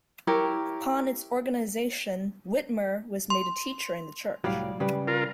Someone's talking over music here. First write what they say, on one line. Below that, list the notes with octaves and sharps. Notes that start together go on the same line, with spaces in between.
Upon its organization, Whitmer was made a teacher in the church.
E4 G4 A#4 C#5
C6
C2 A2 F#3 G3 D5 F5
C#3 G3 B4
F4 A#4